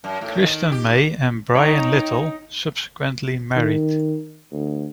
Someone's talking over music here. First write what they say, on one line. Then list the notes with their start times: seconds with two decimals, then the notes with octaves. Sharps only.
Kristen May and Brian Little subsequently married.
0.04 F#2
0.21 A2
0.40 D#3
0.72 G4
1.55 D#4 C#5 G5 A#5
3.56 D#3
4.52 D2